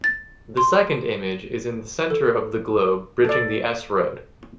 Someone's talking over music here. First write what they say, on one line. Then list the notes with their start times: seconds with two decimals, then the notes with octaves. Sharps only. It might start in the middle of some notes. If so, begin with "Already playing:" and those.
The second image is in the centre of the globe bridging the "S" road.
0.04 A6
0.57 C6
2.10 A4
3.25 A4 D5